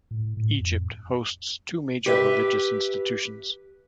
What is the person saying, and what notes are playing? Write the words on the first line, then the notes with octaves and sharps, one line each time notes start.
Egypt hosts two major religious institutions.
A2
A2
F2
G4 B4 E5